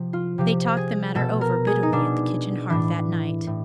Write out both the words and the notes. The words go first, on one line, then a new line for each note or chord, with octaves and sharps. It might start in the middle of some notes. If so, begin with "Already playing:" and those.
They talked the matter over bitterly at the kitchen hearth that night.
Already playing: C3 F3
F4
C3 F3 G4
G#4
B2 A4
A#4
G#4
D#4
B2 D4
A2 E3 D4
A2